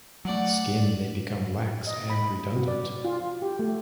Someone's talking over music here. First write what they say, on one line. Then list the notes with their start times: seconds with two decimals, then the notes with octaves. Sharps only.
Skin may become lax and redundant.
0.25 F#3 A3 D5 F#5
1.87 D#5
2.10 B5
2.56 F#4
2.68 D5
3.05 F4
3.42 G4
3.59 A3